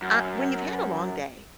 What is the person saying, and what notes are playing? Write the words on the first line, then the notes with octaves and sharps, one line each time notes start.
Ah, when you've had a long day
F#2